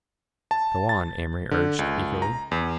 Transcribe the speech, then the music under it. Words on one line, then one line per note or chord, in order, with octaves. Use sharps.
"Go on," Amory urged eagerly.
A5
A6
D3
C#2
A#5
E2